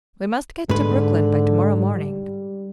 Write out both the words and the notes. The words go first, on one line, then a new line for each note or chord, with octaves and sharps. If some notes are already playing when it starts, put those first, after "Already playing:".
"We must get to Brooklyn by tomorrow morning."
G#2 D3 B4
G3